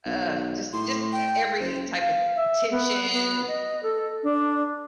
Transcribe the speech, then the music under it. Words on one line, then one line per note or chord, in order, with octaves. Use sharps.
ugh, just just e every type of tension,
B1
A2 C6
G5
F#1 C5
F5
E5
B3
B3
D#5
A4
D4